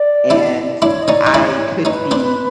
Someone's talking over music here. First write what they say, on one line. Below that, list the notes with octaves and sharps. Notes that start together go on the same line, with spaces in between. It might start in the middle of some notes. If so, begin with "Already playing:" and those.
and I could be,
Already playing: D5
D4 E4
D4 E4 C#5
D#5
C#4 D#4 D5
D#4
D4 E4 C#5
C#4 D#4 B4
C4 D4